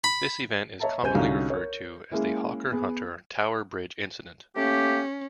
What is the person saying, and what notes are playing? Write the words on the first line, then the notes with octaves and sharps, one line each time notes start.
This event is commonly referred to as the Hawker Hunter Tower Bridge incident.
B5
C#5 D#5 E5 A5 A#5
C#2 G3 C5 G#5 G6 D#7
C2 D3 C#4 D#4 F#4 F5
A#4 C#5
G#3 A#3 C#4 E4
B3 G#4
A3 A#3 C#4 G4